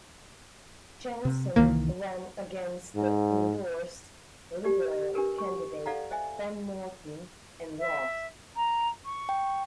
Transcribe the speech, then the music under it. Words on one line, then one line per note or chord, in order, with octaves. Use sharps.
Jensen ran against the endorsed Liberal candidate Ben Morton and lost.
C3
C2 D#3 E3 A#3
G#2
G4 D5
D4 G4 A#4 B4
C#6
A4 D5 D#5 F5 F#5 A#5
C5 D#5 E5 G#5
E5
A#5
C#6
G5